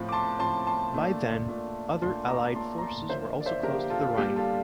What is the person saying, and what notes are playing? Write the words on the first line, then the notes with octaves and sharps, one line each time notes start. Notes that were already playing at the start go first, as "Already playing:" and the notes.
By then, other Allied forces were also close to the Rhine.
Already playing: A2 F3 C4
D6
A5 C6
A2 F3 C4 A5 C6
A5 C6
A#2 A3 D4
A#2 A3 D4
A#2 A3 D4 A5 C6
A#5 D6
A#2 A3 D4 A5 C6
A#5
A5 C6
D3 F3 A#3 C5 E5
D5
C5 E5
D3 F3 A#3 G4 A#4
F4 A4
A#2 G3 D4 G4
F4 A4